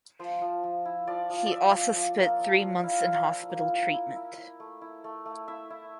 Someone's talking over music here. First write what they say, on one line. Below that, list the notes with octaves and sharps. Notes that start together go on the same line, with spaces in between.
He also spent three months in hospital treatment.
F3 C5
F3
F3
E4
F3 D5
F3
D5
F3 E5
F3
F3
A#3
F3
F3
E4 F5
E4
F3
A#3
E4
E4
E4
E4
A3
E4
A3
A3
E4 E5
E4